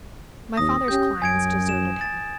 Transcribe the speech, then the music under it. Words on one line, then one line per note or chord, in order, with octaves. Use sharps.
My father's clients deserted him.
D#2 D#6 A#6
C#4 G4 G6
F#2 G#5 G#6 D7
E7
A6